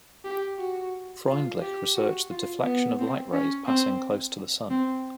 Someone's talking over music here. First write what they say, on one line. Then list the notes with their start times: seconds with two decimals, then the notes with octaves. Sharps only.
Freundlich researched the deflection of light rays passing close to the Sun.
0.25 G4
0.59 F#4
1.27 F4
1.62 G4
1.96 F#4
2.30 F4
2.64 B3
2.99 C4
3.33 C#4
3.67 C4
4.70 C4